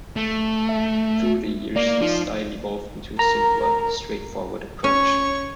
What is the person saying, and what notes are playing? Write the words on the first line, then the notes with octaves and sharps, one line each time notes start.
Through the years his style evolved into a simpler, straightforward approach.
A3
E5
A#3 D5
F3 D#4 F4
A#4 A#5
C#4 C#5 C#6